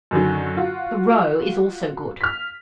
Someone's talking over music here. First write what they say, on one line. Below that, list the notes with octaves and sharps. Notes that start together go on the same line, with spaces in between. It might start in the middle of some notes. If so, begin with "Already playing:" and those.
The roe is also good.
F#2 D3 D#3 F#3
F4 F#4
F6 B6